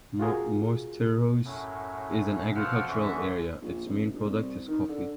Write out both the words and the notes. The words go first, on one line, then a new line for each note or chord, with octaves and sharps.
Mosteiros is an agricultural area, its main product is coffee.
F4 F#4 G#4 A#4
F#2 A2
B2 F3 F#5 G5 E6 F6
E2 D3 E3 C#4 E5
A#1
A1
G1
C2
D#3
D3